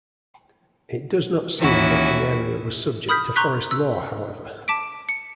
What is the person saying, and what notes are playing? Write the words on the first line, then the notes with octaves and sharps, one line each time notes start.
It does not seem that the area was subject to forest law however.
D#2 E3 C#4 E4 F#4
B5 D#6 F6 G6 B6
A#5 C6 C#6 F#6 G6 B6
E6
A5 D6 B6 D7
C#7